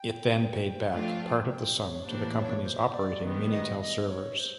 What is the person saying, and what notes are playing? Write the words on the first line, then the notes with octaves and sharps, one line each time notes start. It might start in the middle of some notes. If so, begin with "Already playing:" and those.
It then paid back part of the sum to the companies operating Minitel servers.
Already playing: G5
F3 A3 D4 F4
G5
C#5
A2 E3 G3 A#3 D4 C5
C#5
C5
D5
D#3 G3 B3
D#5
D#5
C#5
C5